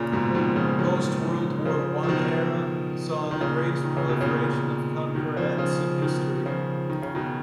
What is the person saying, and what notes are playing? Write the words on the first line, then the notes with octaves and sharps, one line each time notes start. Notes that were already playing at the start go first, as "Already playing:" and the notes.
The post-World War One era saw the greatest proliferation of concordats in history.
Already playing: A#2 C#3
G#2 B2
F3
B2 D#3
C#3 F3
D#3 F#3
C#3 F3
F3
B2 D#3
D#3
A#2 C#3
D#3
C#3
B2
A#2 C#3
B2 D#3
C#3 F3
C#3 F3
B2 D#3
C#3 F3
D#3
C#3
B2 D#3